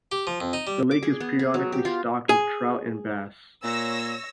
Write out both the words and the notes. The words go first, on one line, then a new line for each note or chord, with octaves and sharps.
The lake is periodically stocked with trout and bass.
G4
F3
F2
D#4
G3
D6
G#4
B3
G#4
F#3
G4
F4
G#4
A#2 C#5 E6 A#6